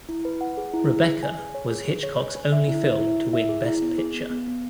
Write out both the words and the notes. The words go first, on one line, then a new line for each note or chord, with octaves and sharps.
"Rebecca" was Hitchcock's only film to win Best Picture.
E4
B4
F#5
G#4
E4
G#4
B4
G#5
G#4
C#5
G#4
G#4
C#5
G#5
G#5
E5
E4
E5
E4
E4
E5
G#4
E4
B3
G#4
B3
B3
B3